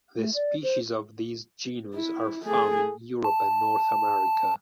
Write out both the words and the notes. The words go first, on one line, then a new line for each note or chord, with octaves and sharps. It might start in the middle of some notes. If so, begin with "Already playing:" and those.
The species of this genus are found in Europe and North America.
A3
D5
C5
E4
A3 G#4
A5